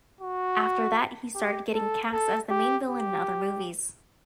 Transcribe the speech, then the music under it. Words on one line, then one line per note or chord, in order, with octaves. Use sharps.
After that, he started getting cast as the main villain in other movies.
F#4
G4
A4
A4
G4
G4